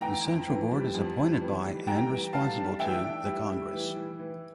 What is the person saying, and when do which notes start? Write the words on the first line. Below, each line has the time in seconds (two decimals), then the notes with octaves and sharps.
The central board is appointed by and responsible to the congress.
0.01 E3 G5 A#5
0.25 F2
0.47 E3
0.71 G3
0.94 F2
1.17 G3
1.40 E3
1.64 G3
1.87 G3 G5 A#5
2.10 E3
2.33 G3 F5 A5
2.57 D4
2.79 E3 E5 G5
3.03 D4
3.25 G3
3.49 G3
3.73 E3
3.96 E3
4.19 E3